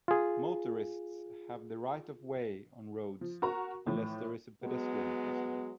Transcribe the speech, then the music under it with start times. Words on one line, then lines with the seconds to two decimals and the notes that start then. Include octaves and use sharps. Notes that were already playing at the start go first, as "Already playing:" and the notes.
Motorists have the right of way on roads unless there is a pedestrian crossing.
0.08 F4 G#4
3.21 F3
3.42 F#4 A#4 A#5 C#6
3.87 A2 E3 F3
4.62 F#3 G#3 B3